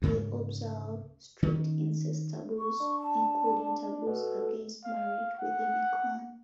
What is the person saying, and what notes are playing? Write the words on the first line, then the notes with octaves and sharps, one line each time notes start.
They observe strict incest taboos, including taboos against marriage within a clan.
D2 G#2 C#3 G#3
D#3 C#4
C#6
D4
A5
B2 A4
F5
F#5